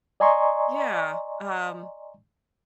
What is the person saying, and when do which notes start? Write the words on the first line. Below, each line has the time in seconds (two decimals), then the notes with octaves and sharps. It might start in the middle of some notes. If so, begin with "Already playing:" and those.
Yeah, um
0.20 D5 D#5 G#5 A#5 C6 C#6